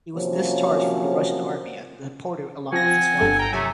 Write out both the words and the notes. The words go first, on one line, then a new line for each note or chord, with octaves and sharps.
He was discharged from the Russian Army and deported along with his wife.
C3 F3 F#3 A#3 C#4
F3 C4 F#5 G#5 A#6
G1 G2 A4
G5 A#5
C3 F#3 A3 G#5